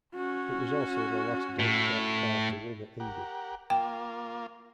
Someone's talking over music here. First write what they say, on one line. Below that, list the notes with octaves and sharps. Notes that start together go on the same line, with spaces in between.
It was also the last dirt track car to win at Indy.
C#4 F#4
A2
G4 A#4 F#5
A#3 F4 G5